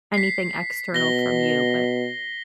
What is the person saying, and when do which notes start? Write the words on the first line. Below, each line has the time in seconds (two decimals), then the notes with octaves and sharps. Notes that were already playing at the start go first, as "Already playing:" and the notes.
anything external from you, but,
0.14 B6 C7
0.94 B2 A#6 G7